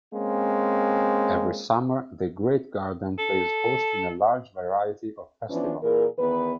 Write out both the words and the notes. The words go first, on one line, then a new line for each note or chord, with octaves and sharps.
Every summer, the Great Garden plays host a large variety of festivals.
G#3 A#3 C4 C#4
A4
E3 F3 B3 C#4 D4
A#2 E3 G#4 A#4
E2 D#3 B3 B4